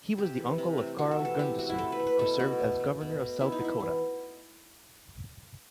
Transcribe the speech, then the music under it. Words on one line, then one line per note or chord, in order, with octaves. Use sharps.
He was the uncle of Carl Gunderson who served as Governor of South Dakota.
C3 G4
E3
C3
A3
C3 F#4
A4
E3
A4
C3 G4
A3 F#4
E4
A3 A4
B4
A3
B4
B2 A4
B2 F#4
A3
A3
B2
B2
B3 E4
D#4
B3 E4
E3